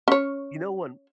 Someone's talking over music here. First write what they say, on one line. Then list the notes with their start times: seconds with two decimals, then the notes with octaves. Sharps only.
You know, one
0.08 C#4 C#5